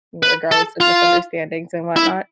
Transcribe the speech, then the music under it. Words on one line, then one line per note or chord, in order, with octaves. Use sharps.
regardless of misunderstandings and whatnot.
B4
A4
F4
E4